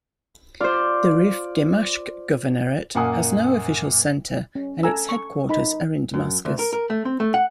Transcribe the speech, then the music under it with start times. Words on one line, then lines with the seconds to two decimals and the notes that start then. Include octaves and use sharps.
The Rif Dimashq Governorate has no official centre and its headquarters are in Damascus.
0.60 F4 C5 D5
2.95 F#2 A#2 A#3 F#5 G#5 D#6
4.55 C#4
4.83 A4 G#5 A#5 E6
5.09 C#6
5.49 D#4 B5
6.14 F#2
6.45 D2
6.59 A#4
6.73 A#4
6.90 A3
7.05 C4
7.20 A3
7.34 F#5